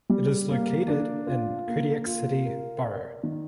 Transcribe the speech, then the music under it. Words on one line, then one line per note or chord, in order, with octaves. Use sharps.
It is located in Kodiak City Borough.
G3
A#3
D4
F4
A#3
F4
A#4
D5
D#3